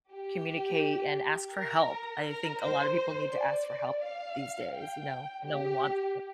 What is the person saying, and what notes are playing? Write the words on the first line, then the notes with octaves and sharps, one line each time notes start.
communicate and ask for help. I think a lot of people need to ask for help these days. You know, no one wants to.
G4
A#4
A#4
C5
C5
D5
F5
G5
G4